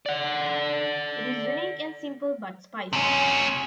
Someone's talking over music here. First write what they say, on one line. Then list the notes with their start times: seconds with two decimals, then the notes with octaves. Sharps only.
It is unique and simple but spicy.
0.06 D5 F#5
2.93 C3 C#4